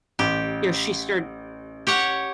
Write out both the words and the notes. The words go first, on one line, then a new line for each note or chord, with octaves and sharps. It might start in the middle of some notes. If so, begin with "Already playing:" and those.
you know, she started
A1 G4
G4 C#5 F#5